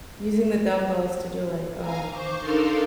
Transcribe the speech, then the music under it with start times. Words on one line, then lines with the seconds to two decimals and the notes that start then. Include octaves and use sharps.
using the dumbbells to do, like, um,
1.76 F5 G#5 A#5
2.07 C5 C#6 D6
2.39 D4 D#4 A4 A#4 F5 C6